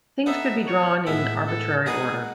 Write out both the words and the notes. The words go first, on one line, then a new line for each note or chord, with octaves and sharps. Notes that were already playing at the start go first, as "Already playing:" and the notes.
Things could be drawn in arbitrary order.
B3 D#4 A4 E5
C#5
A2 G#3 B3 E4 E5
A4
B2 G#3 D#4 F#4 G#4 B4